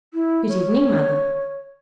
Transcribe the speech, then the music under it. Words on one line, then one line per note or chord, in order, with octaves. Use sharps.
'Good evening, Mother.'
E4
C#5